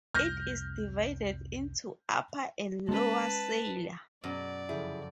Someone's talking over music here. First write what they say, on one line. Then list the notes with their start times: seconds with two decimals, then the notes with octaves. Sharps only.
It is divided into Upper and Lower Selia.
0.15 C2 F2 F6 G6 A#6
2.89 G#3 A3 C#4 B4 A5
4.24 F#2 B2 D5
4.69 F2 C#3 F3 E4 G#4